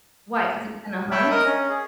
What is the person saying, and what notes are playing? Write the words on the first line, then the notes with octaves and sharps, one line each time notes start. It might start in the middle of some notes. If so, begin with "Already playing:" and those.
Why, 'cause it's gonna hunt?
C#5 E5 G5 A5 B5
A#4 D#5 D#6
C#4
G#4